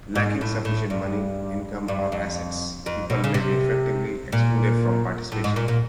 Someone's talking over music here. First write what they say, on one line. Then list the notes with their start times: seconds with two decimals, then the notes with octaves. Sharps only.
Lacking sufficient money, income or assets, people may be effectively excluded from participation.
0.15 G#2
0.41 A2
0.65 A2
0.90 G2
1.88 G2
2.12 F2
2.86 F2
3.10 B2
3.24 C#3
3.34 C3
4.32 A#2
5.32 A2
5.44 G#2
5.56 A#2
5.68 A#2